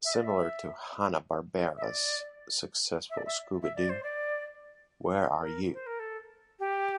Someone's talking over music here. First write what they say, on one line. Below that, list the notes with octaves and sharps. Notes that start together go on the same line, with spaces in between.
Similar to Hanna-Barbera's successful Scooby-Doo, Where Are You!
E5
D5
E5
E5
D5
E5
D5
E5
E5
D5
C5
D5
A#4
C5
A#4
A4
G4